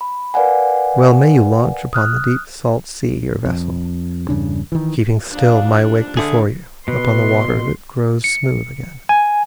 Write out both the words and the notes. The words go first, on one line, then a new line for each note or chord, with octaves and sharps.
Well may you launch upon the deep salt-sea Your vessel, keeping still my wake before you Upon the water that grows smooth again.
B5
A#4 B4 D5 F5 F#5 G#5
D#6 F6 F#6
F2
E2 G2 C#3 D4
D#3 E3
F3 G3 A#3 D4 D#4 F4
D3 G#4 E5 D#6
B2 B4 C6
C#7
G#5